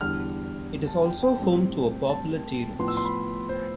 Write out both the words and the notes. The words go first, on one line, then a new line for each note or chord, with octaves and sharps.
It is also home to a popular Tea Rooms.
E2 D3 G3 F6
A5
G5
G5
A2 G3 C4
A5
A2 F3 B3 C6
E6
C6
B5
C5